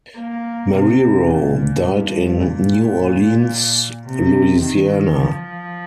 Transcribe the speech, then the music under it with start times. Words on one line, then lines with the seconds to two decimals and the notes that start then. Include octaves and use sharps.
Marrero died in New Orleans, Louisiana.
0.17 A#3
0.73 C3
1.29 A#2
1.84 G2
2.40 A#2
4.06 C3
4.62 D#3
5.19 F3